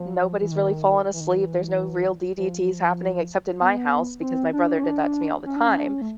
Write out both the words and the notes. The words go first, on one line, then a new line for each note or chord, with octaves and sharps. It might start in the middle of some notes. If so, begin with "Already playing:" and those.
nobody's really falling asleep, there's no real DDTs happening except in my house because my brother did that to me all the time.
Already playing: F3
E3
D#3
E3
D#3
E3
F3
B3
C4
D4
C#4
D4
C#4
D4
C#4
D4
C#4
A3